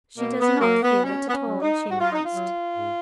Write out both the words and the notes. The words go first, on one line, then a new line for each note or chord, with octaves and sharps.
"She does not feel it at all!" she announced.
B2 A#3
B3
F#3 A#3
B3
B2 C#4
B3
C#4
F#3
D#4
G#2 F#4
F4
D#4
F4
F#3
G#2